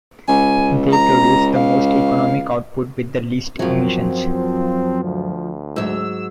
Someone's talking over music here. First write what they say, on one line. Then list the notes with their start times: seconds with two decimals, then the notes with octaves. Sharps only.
They produce the most economic output with the least emissions.
0.28 C#2 G#5
0.93 A#5
1.56 F5
3.59 F#2 F3 F#3 C4
5.04 D2
5.76 G#2 F#3 E6